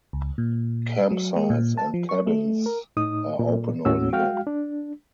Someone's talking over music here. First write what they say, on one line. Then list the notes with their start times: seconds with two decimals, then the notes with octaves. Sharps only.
Campsites and cabins are open all year.
0.13 C#2
0.38 A#2
1.11 F#3
1.36 G#3
1.50 A#2
1.78 A5
1.94 F3
2.09 C#6
2.27 A3
2.66 A#4
2.97 A2 D#4 D#6
3.39 A#2
3.85 D#2 A2 C#4 F#4 E6
4.12 G#3 F#4 F5 G5 F6
4.47 D4